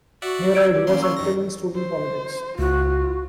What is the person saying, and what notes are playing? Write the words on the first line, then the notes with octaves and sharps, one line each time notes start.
Hareide was active in student politics.
F#4 D5 E5 F#5
E6 G#6 D7
G4
F#3 A#3 C#4 C6
C#6 E6
F#2 D#3 A#6
C5
C#2 F4 F#4